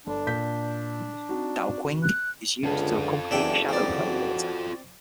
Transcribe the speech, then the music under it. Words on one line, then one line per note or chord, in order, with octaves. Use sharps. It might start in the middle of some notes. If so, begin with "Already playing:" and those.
Daoqing is used to accompany shadow play theater.
G1 D4
A#2 G6 B6
C4 D#4 F#4
F#6
C#2 D3 F4 A4
F#1 E2 D4 E5 G5
C4 F#4 D5